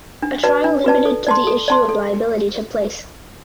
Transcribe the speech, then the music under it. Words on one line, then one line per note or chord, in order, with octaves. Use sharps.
A trial limited to the issue of liability took place.
D4
F#4 B4 D5 A5
D4
F#4 B4 D5 A5
A4
D5 A5 C6
A4
D5 A5 C6
A4